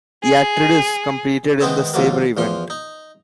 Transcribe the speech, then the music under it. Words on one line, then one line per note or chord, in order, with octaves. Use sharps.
Iatridis competed in the sabre event.
G#4
D#3 G#3 B3 C4 D#4 E4
D#2 G#2 F3 F#3 A#3
E2 F3 C6
D#4